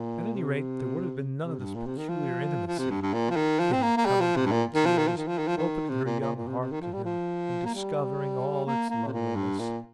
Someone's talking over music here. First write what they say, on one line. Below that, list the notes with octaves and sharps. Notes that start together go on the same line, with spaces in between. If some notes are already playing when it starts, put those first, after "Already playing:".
At any rate, there would have been none of this peculiar intimacy--Kitty coming to him in tears, opening her young heart to him and discovering all its loneliness.
Already playing: A#2
C3
C3
G2
A#2
C3
D#3
F3
F3
C3
G2
G2
A#2
F3
D#3
F3
C4
A#3
A#3
G3
F3
C3
G2
A#2
D#3
F3
D#3
F3
D#3
F3
D#3
F3
D#3
C3
A#2
A#2
A#2
C3
C3
D#3
F3
G3
F3
A#3
G3
A#3
A#3
C3
A#2
G2
A#2